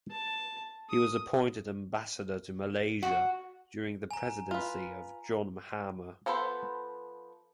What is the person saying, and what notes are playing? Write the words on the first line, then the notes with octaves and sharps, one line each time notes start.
He was appointed Ambassador to Malaysia during the presidency of John Mahama.
A5
D#6
F#4
G#5 A#5
F4 B4
F3 B3 A4 B4 C5